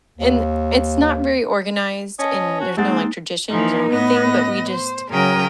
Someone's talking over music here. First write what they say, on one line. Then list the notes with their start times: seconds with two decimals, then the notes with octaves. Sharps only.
and it's not very organized and there's no like traditions or anything, but we just
0.18 D#2
2.19 C#4 D#5 A5
2.60 F#4
2.77 G#3 A#3 C4 D#4 F#5 A6
3.50 E3 F3 D#4
3.91 A2 B3 D#5 A#6
4.69 C5
5.09 C#3 F#3 A#4 G5 D#6